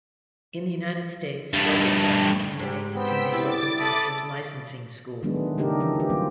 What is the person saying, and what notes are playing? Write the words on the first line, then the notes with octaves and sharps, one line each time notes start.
In the United States, Local Pastor candidates attend a Local Pastors Licensing School.
G2 A3
G#2 G3
B3 C4 G5 E6 B6
G3 E4 D6 A6
A4 B5 D#6
D#3 F#3 G#3 A3 B3 D4
C#3 A3 D4 D#4 G4 A#4
E3 F3 C#4 D#4
D#3 G4
F#3 A3 C4 F4